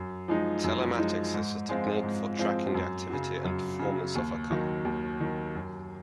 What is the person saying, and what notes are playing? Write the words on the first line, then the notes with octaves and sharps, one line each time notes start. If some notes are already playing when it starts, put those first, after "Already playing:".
Telematics is a technique for tracking the activity and performance of a car.
Already playing: F#2
F3 G#3 D#4
F#2
F3 G#3 D#4
G#2
F3 G#3 C4 F4
G#2
F3 G#3 C4 F4
F#2
C#3 F#3
F#2
C#3 F#3
D#2
D#3 F#3
D#2
D#3 F#3
F#2